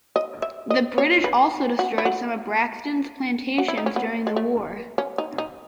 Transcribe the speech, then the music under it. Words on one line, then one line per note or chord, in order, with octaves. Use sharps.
The British also destroyed some of Braxton's plantations during the war.
D#5
E5
D#5
C#5
B4
F#4
E4
F#4
F#4
E4
D#4
C#4
B3
G#3
A3
C#4
D#4
D#4